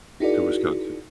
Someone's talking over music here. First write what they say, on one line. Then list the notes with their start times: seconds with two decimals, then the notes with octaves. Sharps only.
to Wisconsin.
0.20 D#4 E4 F#4 G#4 A#4 D5